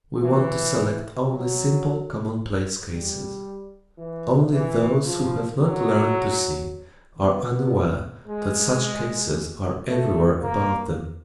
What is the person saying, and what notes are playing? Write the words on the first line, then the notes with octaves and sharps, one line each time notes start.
We want to select only simple commonplace cases. Only those who have not learned to see are unaware that such cases are everywhere about them.
E3
F#3
G3
E3
E3
F3
F#3
B3
G#3
A3
A#3